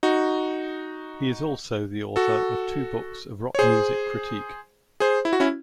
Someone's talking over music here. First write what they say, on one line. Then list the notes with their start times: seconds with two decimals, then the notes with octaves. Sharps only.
He is also the author of two books of rock music critique.
0.03 D#4 F#4
2.16 F#4 A4
3.55 C#5
3.59 G#4 C5
5.00 G#4 C5
5.25 E4
5.33 F#4
5.40 C#4 E4